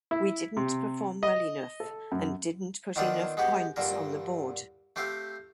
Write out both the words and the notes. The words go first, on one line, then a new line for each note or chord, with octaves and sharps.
We didn’t perform well enough and didn’t put enough points on the board.
E4
C3
D#5
A4
F#2
D#3 B3 C4 D4 F4 D5
G#3 B3 F#4 G4
G2 A#2 D3 A#4
A3 C4 G4 F5